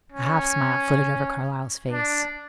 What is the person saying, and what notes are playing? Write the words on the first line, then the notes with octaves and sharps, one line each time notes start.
A half smile flitted over Carlyle's face.
C#4
D4